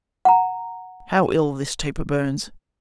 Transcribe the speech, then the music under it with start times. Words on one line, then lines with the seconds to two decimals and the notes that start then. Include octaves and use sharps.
How ill this taper burns!
0.25 F#5 A#5